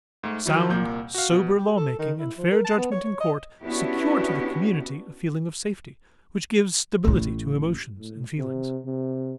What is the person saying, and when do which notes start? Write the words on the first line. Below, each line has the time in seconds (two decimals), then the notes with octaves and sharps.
Sound sober lawmaking and fair judgment in court secure to the community a feeling of safety which gives stability to emotions and feelings.
0.23 G#2 A3
0.46 D#3 F#3 E4
0.69 C2 A#2 A#3 G6
1.14 F#4 F5
1.31 B2
1.58 G4
1.77 A4
1.99 D#3
2.20 E4
2.38 F3
2.52 A#4
2.65 A5
2.78 B3
2.92 C#5
3.05 C#5
3.21 D#5
3.61 B3 C#4 D4 E4 F#4 G4
7.04 A1 A2
7.98 A2
8.37 C3
8.85 C3